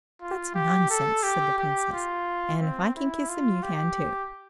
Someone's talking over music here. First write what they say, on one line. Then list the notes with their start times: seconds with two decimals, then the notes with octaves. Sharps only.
'That's nonsense,' said the Princess; 'and if I can kiss him, you can too.
0.22 F4
0.55 G4
0.90 A4
1.23 G4
1.58 G4
1.93 F4
2.61 C4
2.96 E4
3.29 F4
3.63 G4